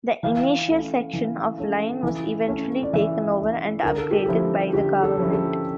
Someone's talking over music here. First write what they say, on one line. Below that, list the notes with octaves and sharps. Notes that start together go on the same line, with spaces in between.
The initial section of line was eventually taken over and upgraded by the government.
E3 F5
A3
C#4
E3
A3 C#4
E3
A3 C#4
D5
E3 E5
A3 C#4
D3 A#4
A4
G4
F3 C#4 E4 A4
D3 G4
A4
F3 C#4 E4
A4